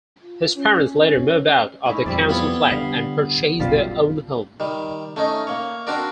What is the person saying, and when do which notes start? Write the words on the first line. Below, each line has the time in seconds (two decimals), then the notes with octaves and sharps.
His parents later moved out of their council flat and purchased their own home.
0.22 F4
0.56 C#4
1.86 C#4 D#4 E4
2.06 F2 G3 C4 D5
2.29 B3 E4 F4 C#5
2.72 D3 G3 F5
3.60 B1 F#2 F3 G3 F4
4.60 D#3 G3
5.16 A3 C#4 D#4 D#5
5.47 A#3 C#5
5.87 C4 D4 F#4 A#4 D5